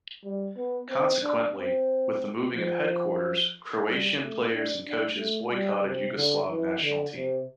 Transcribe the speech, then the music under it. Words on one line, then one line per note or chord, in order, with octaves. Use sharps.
Consequently, with the moving of headquarters, Croatian players and coaches boycotted Yugoslav national team.
G3
B3
C4
D4
C4
F3
G3
A3
D4
D4
A3
G3
C3
D3
E3
D3
C3